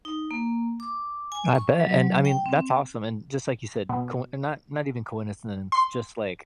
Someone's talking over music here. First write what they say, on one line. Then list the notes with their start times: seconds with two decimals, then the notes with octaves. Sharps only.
I bet. And, I mean, that's awesome. And just like you said, coin not not even coincidence, just, like,
0.05 D#4
0.31 A#3
0.80 D6
1.32 G#5
1.55 C#6
1.80 F#3
2.25 G5
2.46 C4
3.89 B2
5.72 C6